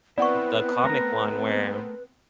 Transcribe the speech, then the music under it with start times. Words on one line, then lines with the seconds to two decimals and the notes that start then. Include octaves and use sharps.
the comic one where,
0.18 B3 C4 E4 B4 D5 F#5 C#6
0.84 A3 A#4 A#5